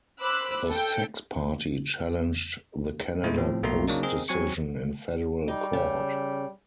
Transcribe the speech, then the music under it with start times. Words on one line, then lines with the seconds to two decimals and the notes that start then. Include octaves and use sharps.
The Sex Party challenged the Canada Post decision in federal court.
0.20 C5 B5 D6 E6 F#6
0.70 A4 G5 G6
3.24 A#2 G#3 A3 E4
3.37 A2 F3 C4
3.63 B1 B2 A3 A#3 A#5 C6
3.88 C#3 F#3 A#3 D4 D#4
4.03 C4 G#4 A#4 D#5
4.28 F#3 C4 G#5 C#6 C#7
5.48 G3 D#4
5.73 C#3